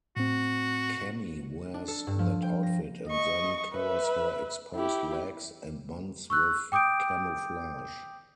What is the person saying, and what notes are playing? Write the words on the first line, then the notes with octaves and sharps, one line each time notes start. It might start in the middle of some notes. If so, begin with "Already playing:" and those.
Cammy wears that outfit and then covers her exposed legs and buns with camouflage.
A2 C4 F#4
D4
A4
G2
F3
G5
A#6
D#5 C#6
B4 E5
E4 G4
C#6 E6 F#6
G5 D6 D#6 G6 D7